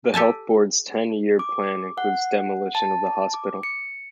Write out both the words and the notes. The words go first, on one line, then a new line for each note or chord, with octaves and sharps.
The health board's ten-year plan includes demolition of the hospital.
G4 A4 G#5 A5
D6
F#5
A5
D6
C#7